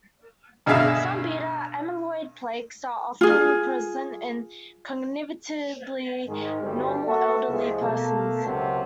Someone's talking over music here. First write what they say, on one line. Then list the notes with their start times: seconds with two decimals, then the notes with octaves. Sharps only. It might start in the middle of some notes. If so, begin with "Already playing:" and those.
Some beta amyloid plaques are often present in cognitively normal elderly persons.
0.66 G2 B2 D3 G#4 E5 F5
3.21 F4 G#4
6.27 G#2 D#3 G#3
6.62 G1 G3 C4 F#4 A4
7.06 A#3 F#4 A4 E5 F#5 A5
7.49 C2 C3 F3 G#3
7.82 B2 A3 A#3 A4 A5
8.45 C#2 C3 F#3 A#3 F#5 A5